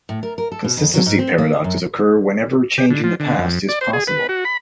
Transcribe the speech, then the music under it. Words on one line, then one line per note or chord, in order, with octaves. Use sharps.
Consistency paradoxes occur whenever changing the past is possible.
A2
A#4
A#4
A4
B2
F2
F#3
G#2
C4
A#3
D#5
F#2
G4
D3
F3
D3
F2
D5
C5
G#4
B4
F#4
B5